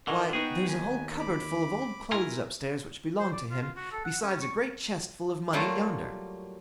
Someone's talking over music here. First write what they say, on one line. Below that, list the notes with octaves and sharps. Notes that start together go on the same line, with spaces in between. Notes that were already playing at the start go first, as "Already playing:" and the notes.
Why, there's a whole cupboard full of old clothes up-stairs which belonged to him, besides a great chest full of money yonder.
D3 E3 A#4 D#5 F#5 G#5 C#6
B3 D#4 F#4 G#4 G5
D#2 G#5
B5 D6
E4 A#4 G#5 A#5 C6
C5
D5
F4
F4
F#4
A4
F#5
C#4
C#6
F#3 G3 A3 A#3 F4